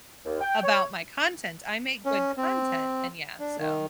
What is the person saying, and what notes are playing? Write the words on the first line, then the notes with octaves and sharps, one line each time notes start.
about my content, I make good content, and yeah, so
D#2
G5
C#5
C#4
C4
D4
D#3